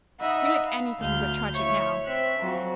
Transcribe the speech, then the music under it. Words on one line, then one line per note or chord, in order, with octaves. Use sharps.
"You look anything but tragic now."
D#4 D#5 E5 F#5 B5
F5 B5
D2 F5 F6 G6
E4 C#5 E5 C#6
C4 E5 F#6
F2 F#3